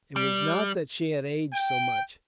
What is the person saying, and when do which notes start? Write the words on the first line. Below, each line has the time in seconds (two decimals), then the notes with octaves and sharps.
It was not that she had aged so much.
0.16 G3
1.53 G5